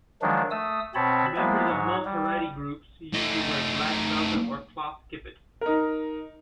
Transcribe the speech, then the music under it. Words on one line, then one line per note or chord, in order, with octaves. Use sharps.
Members of most Haredi groups usually wear black velvet or cloth kippot.
D#3 F3 F#3 G#3 D4
A3 D#6 E6
B2 C4 C#5 A5 B5
F3 G#3 A#3 B3 E4
G#2 F#3 C#5
G3
A3 D#4
D#4 A#4